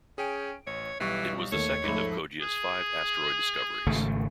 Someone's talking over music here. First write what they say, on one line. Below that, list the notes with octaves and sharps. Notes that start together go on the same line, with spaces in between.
It was the second of Coggia's five asteroid discoveries.
C#4 G#4 G5 D7
A1 C#5
B1 E3 G3 C#6
D#2 A3 C#5
G#2 F3 A3 B5
G#4
G#1 C#3 A3